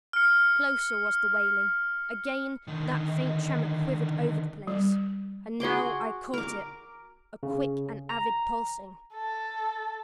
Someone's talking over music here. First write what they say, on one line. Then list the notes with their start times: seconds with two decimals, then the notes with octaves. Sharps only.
Closer was the wailing; again that faint tremor quivered over the place. And now I caught it--a quick and avid pulsing.
0.13 F6 C#7
2.68 D3 D#3
4.67 G3
5.60 F#4 G#4 C6 D6
6.34 A#4 D6
7.43 C#3
8.09 A#5
9.14 A4